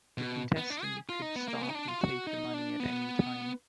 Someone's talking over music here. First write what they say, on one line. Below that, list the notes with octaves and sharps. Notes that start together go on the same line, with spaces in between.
The contestant could stop and take the money at any time.
B2
B3
D4
G#4
F4
D#4
B3
A#3
B3
D#4
D4
F4
F#4
D#4
D4
B3